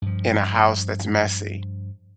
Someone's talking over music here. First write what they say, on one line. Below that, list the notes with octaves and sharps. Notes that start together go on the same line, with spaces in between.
in a house that's messy,
G2 F3